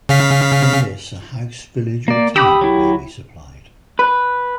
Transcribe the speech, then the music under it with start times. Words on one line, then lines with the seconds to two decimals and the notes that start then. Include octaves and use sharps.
From this a house, village or town may be supplied.
0.09 C#3 F5 B6
2.08 A#3 D5
2.36 G4 B5 D#6 E6
2.61 F#3 E4
3.99 B4